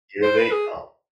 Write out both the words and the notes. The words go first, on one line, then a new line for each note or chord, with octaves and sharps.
Here they come.
C5
B4
G#4